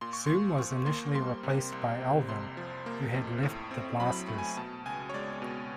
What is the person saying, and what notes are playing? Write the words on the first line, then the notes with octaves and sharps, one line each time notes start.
Zoom was initially replaced by Alvin, who had left the Blasters.
A#2 C6
C#6
A#2 C6
F3 C#6
A#3 C6
G3 C6
C3
C2
C3
F2 C6
F3
A#3
F2
A2
C4
F#3 B5
A3
G#5
B2 A5
C#2 G#5
C#5
G#3 D5
B2